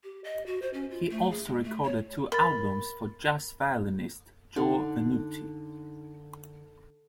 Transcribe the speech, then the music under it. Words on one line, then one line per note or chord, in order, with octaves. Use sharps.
He also recorded two albums for jazz violinist Joe Venuti.
G4
D#5
F#4
C5
C#4
F4
A3
G#4
G#3
A3
C#5
A#4 B5 A6
D3 D#4